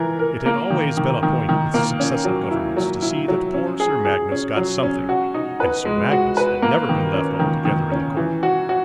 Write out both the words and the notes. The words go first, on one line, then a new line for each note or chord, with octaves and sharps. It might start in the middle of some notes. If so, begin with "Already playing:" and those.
It had always been a point with successive governments to see that poor Sir Magnus got something, and Sir Magnus had never been left altogether in the cold.
Already playing: E3 A#4
A#4
A#3
D#3
D#3
D#3
D#3
A#3
C#4
F#3
E4
F#3
E4
F#3
C#4
G#4
G#4
C#4
F#3
C#4
F#4
D#4
B4
G#3
F#4
B4
A#3
D#3
C#4
D#3
D#3
C#4
E3
F#4
F#4